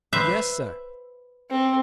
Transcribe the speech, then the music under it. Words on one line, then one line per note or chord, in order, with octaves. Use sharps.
"Yes, sir."
B4 C5 E5
C4